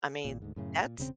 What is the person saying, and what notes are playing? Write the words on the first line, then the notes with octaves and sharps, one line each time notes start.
I mean, that's
G#1 A#2
D2 G#2
F#2 A2 C#3
A#2
E1 C#3 A#3 C4